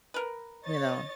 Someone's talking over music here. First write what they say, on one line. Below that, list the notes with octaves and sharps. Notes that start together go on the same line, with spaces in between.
you know,
A#4 B4
C#5 D#5 A6